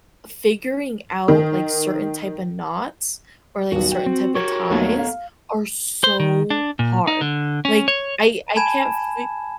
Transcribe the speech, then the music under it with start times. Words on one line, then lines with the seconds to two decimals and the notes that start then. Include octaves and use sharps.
figuring out, like, certain type a knots or, like, certain type a ties are so hard, like, I I can't fi
1.28 D#3
3.72 D#1 B1 F#4
3.92 G5
4.06 C4
4.35 F#4 G4 A#4 C#5 C#6
4.70 D#2 F#3 A3 B3 A4
4.99 F5
6.04 C5
6.20 D#3
6.50 D4
6.79 A#2
7.07 D#4
7.21 D3
7.65 C#4
7.88 C#5
8.56 G#5 A5 B5 G#6 E7